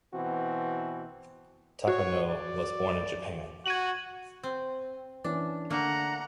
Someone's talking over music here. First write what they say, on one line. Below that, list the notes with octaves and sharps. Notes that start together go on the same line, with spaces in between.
Takano was born in Japan.
B2 E3 C4 F#4
F#4 C#5
D5
F#4 G#6 D#7 F#7
C4
E3 C#4 D4
D3 A3 A#3 F#5 A#5